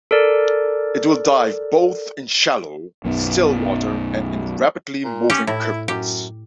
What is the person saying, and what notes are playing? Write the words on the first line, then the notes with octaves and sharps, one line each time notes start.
It will dive both in shallow, still water and in rapidly moving currents.
A4 A#4 D5
B1 F#2 B3
A#2
C#4 G4
A2 E4
F#2 G4